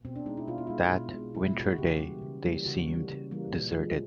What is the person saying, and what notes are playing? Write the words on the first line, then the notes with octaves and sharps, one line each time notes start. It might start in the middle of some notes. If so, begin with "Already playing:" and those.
That winter day they seemed deserted.
B2 C4
D4
G#3 D#4
E4
B2 F4
E4
G#3 F4
B2
G#3
B2 E4
G#3 F#4
F#4
C#3 G4
E3 G3 A#3
C#3
E3 G3 A#3
C#3 F#4
E3 G3 A#3
C#3
E3 G3 A#3
A#2
F3 G#3